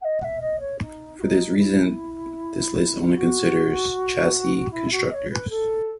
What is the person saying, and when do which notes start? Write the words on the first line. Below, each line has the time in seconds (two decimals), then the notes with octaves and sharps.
For this reason, this list only considers chassis constructors.
0.01 F#5
0.04 D#5
0.20 F#5
0.23 E5
0.40 D#5
0.59 C#5
0.79 D#4
1.18 F#4
1.22 D#4
1.57 E4
3.14 F#4
4.70 E4
4.90 F#4
5.10 D#5
5.13 C#5
5.29 B4
5.49 A4